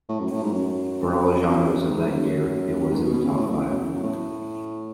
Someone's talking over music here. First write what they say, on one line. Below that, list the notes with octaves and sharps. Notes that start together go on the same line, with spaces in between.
For all genres of that year, it was in the top five.
A2
F#2
A2
G#2
F#2
G#2
F#2
F#2
G#2
B2
B2
C#3
A2
F#2
E2
F#2
E2
F#2
A2